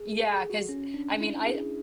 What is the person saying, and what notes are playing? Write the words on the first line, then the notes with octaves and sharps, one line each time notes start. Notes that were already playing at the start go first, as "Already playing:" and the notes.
Yeah, 'cause I mean I
Already playing: G#4
A4
G#4
F#4
C#4
D4
E4
G#4